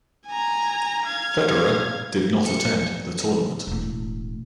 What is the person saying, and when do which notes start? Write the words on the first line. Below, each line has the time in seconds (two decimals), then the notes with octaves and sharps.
Federer did not attend the tournament.
0.27 G#5 A#5
1.06 F5 G#6
2.46 C#7
3.67 E1 A2